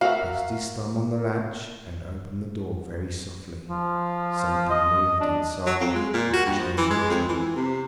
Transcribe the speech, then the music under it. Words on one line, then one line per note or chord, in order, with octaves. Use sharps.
He pressed his thumb on the latch and opened the door very softly. Something moved inside and a chain rattled.
F#4 A#4 E5 F5
F3
D#5
D4
F#3
F2
G#3
A#2
F#4
G2
F3
E3
G#3
F2
E3
C3